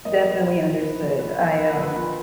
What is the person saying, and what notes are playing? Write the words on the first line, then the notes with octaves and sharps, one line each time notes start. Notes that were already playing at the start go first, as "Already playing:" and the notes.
Definitely understood. I, um,
A#3 D#5
A#1
B4
A#2
A#1
A#3 B4
A#1
A#2 B4
A#1
A#3 B4
A#1
B4
A#2